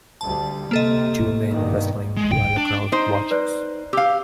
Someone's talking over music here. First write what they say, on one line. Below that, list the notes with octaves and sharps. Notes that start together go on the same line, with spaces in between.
Two men wrestling while a crowd watches.
D2 G3 A5
C3 A#3 A4 D#5
G2 B2 D#3
G#3
G5
D4
D#4 C5
B4 D5 F#6
G4 F5 E6